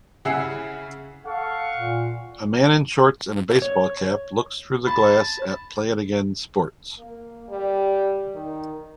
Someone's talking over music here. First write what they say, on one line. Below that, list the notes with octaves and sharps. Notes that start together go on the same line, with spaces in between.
A man in shorts and a baseball cap looks through the glass at Play It Again Sports.
C#3 E4 G#4 F#5 E6 C7
A4 F5 F#5 C#6
A#2
C#5
A5 B5
A#3
G3
D#3